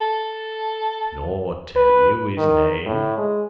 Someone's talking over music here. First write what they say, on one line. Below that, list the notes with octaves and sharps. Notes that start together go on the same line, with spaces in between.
"Nor tell you his name?"
A4
B4
D#3
A2
G#3